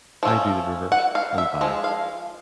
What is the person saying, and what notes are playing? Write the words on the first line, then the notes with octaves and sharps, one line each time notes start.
I do the reverse-and buy.
F3 A3 C#4
F#5
F5
E5
F3 G#3
F5